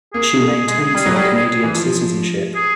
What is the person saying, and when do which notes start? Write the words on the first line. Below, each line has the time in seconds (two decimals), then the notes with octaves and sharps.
She maintains her Canadian citizenship.
0.14 A#3 G#4
0.41 A3
0.68 G#3
0.95 G3
1.06 F#3
1.16 G3
1.63 E3
1.75 F3
2.55 G#4